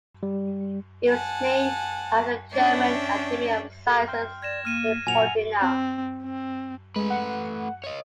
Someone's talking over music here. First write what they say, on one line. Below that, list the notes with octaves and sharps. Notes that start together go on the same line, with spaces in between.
It was named after the German Academy of Sciences Leopoldina.
G3
F#5 G#5 A5
C#4 D4 C#5 E5 G5
G4 A4 A#4
G5 C6 F6 G6
D5 G#6 A#6 E7
A#3 F6 D#7 E7
A#2 F#3 F#5 G#5 F7
C4
C4
G#3 A3 B4
F#5
C#5 D#5